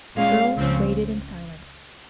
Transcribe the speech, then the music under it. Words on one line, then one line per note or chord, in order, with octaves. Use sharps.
The girls waited in silence.
A#2 G#3 C#4 F5
C#2 C#3 F3 C4